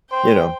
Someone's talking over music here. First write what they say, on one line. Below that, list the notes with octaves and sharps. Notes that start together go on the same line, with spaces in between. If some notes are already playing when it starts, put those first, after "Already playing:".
you know,
C5 G5